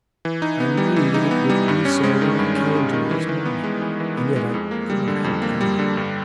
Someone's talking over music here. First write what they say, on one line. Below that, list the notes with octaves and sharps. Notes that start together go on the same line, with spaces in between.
I knew that it would be so when I came to you this morning; and yet I could not help coming.
E3
D#4
B3
G3
E3
D#4
B3
G3
G2
C#4
G#3
D#3
G2
C#4
G#3
D#3
E3
E3
B3
G#3
E3
E3
B3
G#3
F2
A#3
G3
D3
F2
A#3
G3
D3
G2